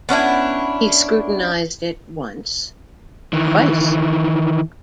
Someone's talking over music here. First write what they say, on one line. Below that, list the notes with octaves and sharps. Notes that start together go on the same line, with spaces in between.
He scrutinised it once, twice.
B3 C#4 D4 E4
D#3 E3